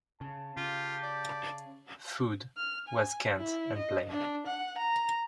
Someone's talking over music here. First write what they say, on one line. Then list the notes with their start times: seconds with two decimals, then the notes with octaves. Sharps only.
Food was scant and plain.
0.21 C#3 A5
0.57 C#3 F4 G4
1.03 D5
2.57 F6
2.88 G#5
3.36 E4
3.77 D#5
4.10 D4
4.47 F#5
4.78 A#5